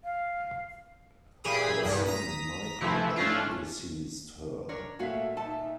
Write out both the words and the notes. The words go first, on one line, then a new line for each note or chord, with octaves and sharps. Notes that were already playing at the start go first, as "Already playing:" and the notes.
Her son Michael pre-deceased her.
F5
A#2 E3 G4 G#4 B5 D#6
C2 G2 B6
A#5 D#6 B6
C3 E3 F3 A3 E4
A3 C#4 D4 F4
D4 A#4 C#5
A#2 A3 F#4 C#5 E5 F5 B6
D#4 A4 E5 A5